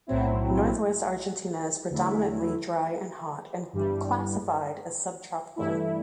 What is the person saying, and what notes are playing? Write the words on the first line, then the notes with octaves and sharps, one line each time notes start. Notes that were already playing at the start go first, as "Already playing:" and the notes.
Northwest Argentina is predominantly dry and hot and classified as subtropical.
B1 A2 F#3 C4 E4
E2 D3 F#3 A3 E4
G1 G2 E3 G3
G2 E3 A3 E4